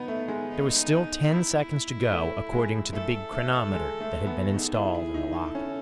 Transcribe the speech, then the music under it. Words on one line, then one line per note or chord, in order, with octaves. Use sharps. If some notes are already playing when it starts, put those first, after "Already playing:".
There was still ten seconds to go, according to the big chronometer that had been installed in the lock.
Already playing: B3 D#4
A3
G#3
D#4
E4
A3
G#3
A3 A4
A3
G#3
A3
B3
D#4 G#4
E4
E4
D#4
A4
C#4